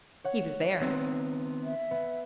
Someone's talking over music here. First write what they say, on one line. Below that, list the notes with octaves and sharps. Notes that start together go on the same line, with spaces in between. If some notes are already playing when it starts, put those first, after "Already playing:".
"He was there."
C#5 F#5
D#3 B3 C4
E5
B3